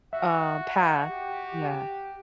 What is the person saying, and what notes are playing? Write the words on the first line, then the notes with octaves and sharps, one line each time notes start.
uh, path. Yeah.
F#4 E5
G4